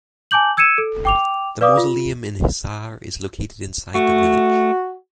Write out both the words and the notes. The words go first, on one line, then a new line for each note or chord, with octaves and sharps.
The mausoleum in Hisar is situated inside the village.
G#5 A5 D6 G6 F#7
E6 G#6 C#7 D#7 E7
A4
G5 D6 F7
B4 D5 F5 D6 D#6
F4
A3 F#4